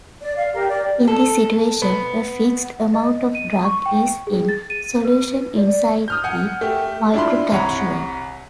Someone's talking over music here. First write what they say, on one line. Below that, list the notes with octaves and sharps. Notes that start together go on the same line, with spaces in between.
In this situation, a fixed amount of drug is in solution inside the microcapsule.
D5
F5
G4 A#4
D5
A4
B3
D#5
D#7
C#6
G5
G#4
A6
D#7
B4
D5
D#6 F6 G6
F#5 G#5
A3 G4
D4 E4 F4 B5 C6
C2 C#5 F#5 A#5 B5